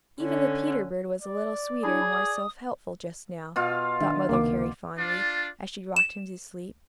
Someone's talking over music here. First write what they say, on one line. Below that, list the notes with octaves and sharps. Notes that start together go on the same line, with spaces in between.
Even the Peter-bird was a little sweeter and more self-helpful just now, thought Mother Carey fondly, as she rocked him to sleep.
D3 C#4
D5
D4 E4 G#4
D#6
B2 F4 F5
D#3 D4 E5
C#2 C3 D#3 A#3 D6
D4 F4 D5
E7